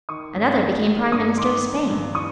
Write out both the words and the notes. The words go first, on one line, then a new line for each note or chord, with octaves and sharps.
Another became Prime Minister of Spain.
D#3 C#6 D#6
G2
D#3
D#3
G2 C#6 D#6
D#3 C6 D6
D#3
G2
E3 C#6 D#6